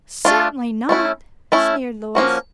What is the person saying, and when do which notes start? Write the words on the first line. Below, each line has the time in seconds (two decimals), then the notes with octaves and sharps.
"Certainly not," sneered Louis.
0.25 A3 D4 F4
0.89 A3 C#4 E4
1.52 A3 C#4 E4
2.15 F3 A#3 C#4 F#4